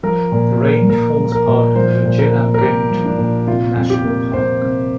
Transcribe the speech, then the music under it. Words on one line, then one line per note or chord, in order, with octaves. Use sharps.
The range forms part of the Gennargentu National Park.
F3 A#4
A#2
A#3
A#2 A#4
F3
A#4
A#2
F3 C5
A#2
A#4
A#3
A#4
A#2 G4
F3
D4
A#2
C3 F4
F2
G4
A#3
F2 C5
C3